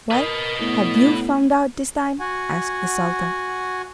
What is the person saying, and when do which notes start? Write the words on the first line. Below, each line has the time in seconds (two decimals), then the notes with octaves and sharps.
'Well, have you found out this time?' asked the Sultan.
0.11 A#4 B4 D#5
0.60 A2 B3
2.20 F#4 F#5 G#5